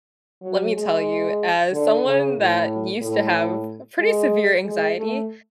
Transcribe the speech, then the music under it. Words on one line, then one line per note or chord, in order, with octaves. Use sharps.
let me tell you, as someone that used to have a pretty severe anxiety,
F#3
G#3
D3
C#3
A2
A2
G#3
G#3
A3